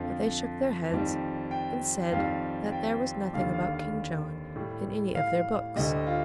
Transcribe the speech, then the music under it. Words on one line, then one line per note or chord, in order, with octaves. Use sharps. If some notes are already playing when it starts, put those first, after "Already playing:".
But they shook their heads, and said that there was nothing about King John in any of their books.
Already playing: F2 D3 F3 F5
F2 D#3 G3
G5
F2 D#3 G3 F5
G5
D#2 D3 G3 F5
F5
F5
A2 G3
F5
D2 D3 G3 D#5
F4